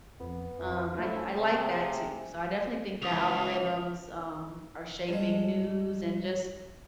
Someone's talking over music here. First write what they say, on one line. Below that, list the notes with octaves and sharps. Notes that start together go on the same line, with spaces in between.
um, and I I like that too. So, I definitely think that algorithms, um, are shaping news and just
F2 B3
F2 E3
F3 A3 C#4 D4 E4
C3 G#4
C#2 E3 D#6 F7
G2 G#3